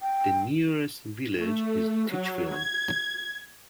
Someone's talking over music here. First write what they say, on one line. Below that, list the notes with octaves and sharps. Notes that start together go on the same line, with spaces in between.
The nearest village is Titchfield.
G5
A3
F#3
G#6